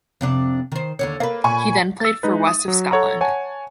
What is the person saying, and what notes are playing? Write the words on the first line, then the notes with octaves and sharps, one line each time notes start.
He then played for West of Scotland.
F2 C3 D4
D#3 C5
D#2 D3 C#5
A#3 B4 C5
A#2 G#5 B5 C#6
E6 A6
G#3 D#4 B4
D#6
F#3
A4 C#5 F#5 A#5
C#5 F#5 G#5 A5